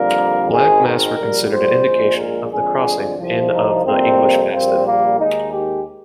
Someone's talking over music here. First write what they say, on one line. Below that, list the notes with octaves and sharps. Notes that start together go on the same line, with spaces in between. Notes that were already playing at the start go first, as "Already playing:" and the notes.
Black masks were considered an indication of the crossing in of the English Mastiff.
Already playing: F2 D3 G3 A#3 A#4
G#1 G#2 D#3 G#3 G#4
A#4
A#1 A#2 G3
C5
A#1 A#2 G#3
A#4
F2 D3 G#3 G#4
C2 C3 F3
D#4
F2 C3 G3 A#3 C4
A#1 A#2 G3 A#3 C4
A#3
D#2 D#3 G#3 D#4
G4